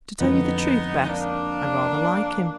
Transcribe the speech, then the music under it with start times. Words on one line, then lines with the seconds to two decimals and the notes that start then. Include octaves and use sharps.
To tell you the truth, Bess, I--rather like him.
0.20 F2 D3 F3 G#3 B3 D#4
1.02 D#4
1.09 A#3 D4